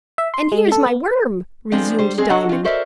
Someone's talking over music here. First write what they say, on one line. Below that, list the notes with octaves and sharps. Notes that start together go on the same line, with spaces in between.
"And here's my worm," resumed Diamond.
E5
C6
G#3
A4
B3
F3 G#3 B3 C4 D4 A4
G3 C5
G#3 C4 G#4
F#3 D4 F#4 A4 D#5 F#5
C4 F4
F#4 A4 A#4 C5 D5 E5